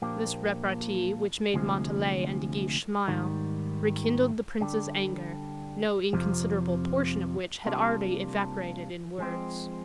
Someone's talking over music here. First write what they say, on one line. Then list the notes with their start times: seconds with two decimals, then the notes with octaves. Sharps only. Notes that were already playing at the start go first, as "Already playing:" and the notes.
This repartee, which made Montalais and De Guiche smile, rekindled the prince's anger, no inconsiderable portion of which had already evaporated in words.
0.02 A#2 F3 A#3 D4 G4
1.54 D2 C3 F3 G#3
3.08 G#2 D#3 G3
4.61 D3 G3 D4 G4
6.13 F2 C3 F3
7.65 C3 G3 A#3 D4 F4
9.18 F3 G#3 C4